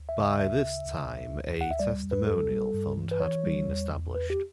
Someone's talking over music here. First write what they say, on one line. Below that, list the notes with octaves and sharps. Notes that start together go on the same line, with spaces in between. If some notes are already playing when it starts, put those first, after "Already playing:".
By this time, a testimonial fund had been established.
Already playing: D2
E5
C#3
E5
D2 E5
C#3
D2
D2
D2
D2 F#5
E5
G3 D5
E2
B4
G3 A4
G3
G2
E3
B4
E3 C#5
G3
E2
E2
E2 B4
G4